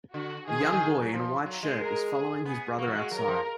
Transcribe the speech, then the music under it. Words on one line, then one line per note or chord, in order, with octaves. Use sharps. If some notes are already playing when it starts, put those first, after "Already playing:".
A young boy in a white shirt is following his brother outside.
D3 F#4
D#3 G#4
F3
D#3
F#3
F3
F#3
G#3
A#4
G#4
B3 G#4
A#3 F#4
F#3
G#3
F#3 A#4
F3